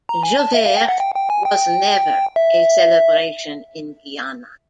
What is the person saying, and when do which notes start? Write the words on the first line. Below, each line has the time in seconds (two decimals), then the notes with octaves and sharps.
Jouvert was never a celebration in Guyana.
0.09 A#5
0.23 G#5
0.39 A5
0.54 E5
0.66 F5
0.77 G5
0.88 F#5
1.00 G5
1.15 G5
1.30 G#5
1.45 G5
2.36 E5